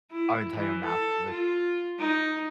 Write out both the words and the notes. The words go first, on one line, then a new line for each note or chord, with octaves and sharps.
our entire math curric
E4
E3
A4
F4
D#4